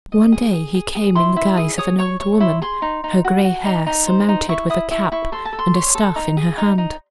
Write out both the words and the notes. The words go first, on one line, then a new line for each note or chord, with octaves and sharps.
One day he came in the guise of an old woman, her gray hair surmounted with a cap, and a staff in her hand.
D#5
G#4
G#4
G#4
G#4
E4 C6
E4
G#4 D#6
C#5 D#6
C#5 C#6
C#5 C#6
E4 C6
G#4 C6
D#4
D#4
F#4
F#4
D#4
D#4
C5
D#4
E4 C#6
E4 D#6
E4 C#6
E4 C#6
A4 C6
A5
A4
C6
C#5
A4
D#4
G#4
D#4
D#4